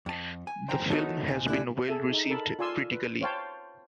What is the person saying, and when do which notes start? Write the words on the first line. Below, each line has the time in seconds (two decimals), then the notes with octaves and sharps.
The film has been well-received critically.
0.06 F2 A5
0.47 G#5
0.68 C5 G5 A#5
0.90 D#3 A3 B3 D#4 F#4 C#5 A5
1.28 D#2 A#2 C4 G#5
1.48 D3 G3 A3 E4 F#6 G#6
1.89 G#4 A4 E5
2.11 D#4
2.30 A4 A#4 A5 B5
2.59 F4 D5 G#5 C6 E6
2.92 B4
3.21 C5 C#5 F5 G5 A5